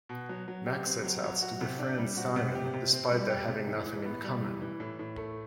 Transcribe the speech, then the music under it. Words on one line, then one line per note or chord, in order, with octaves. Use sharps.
Mack sets out to befriend Simon, despite their having nothing in common.
B2
F#3
F#3
G4
C4
F#3
F#3
F#4
C3
D4
G3
F#4
C3
G4
C3
C4
G3
G4
C3
E3
E3
B3
G3
E3
E3
A2
A2
A3